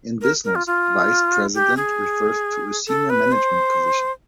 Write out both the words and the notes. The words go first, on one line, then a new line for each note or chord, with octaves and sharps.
In business, "vice president" refers to a senior management position.
A#4
A#4
F4
F4
G4
G#4
A4
B4
C5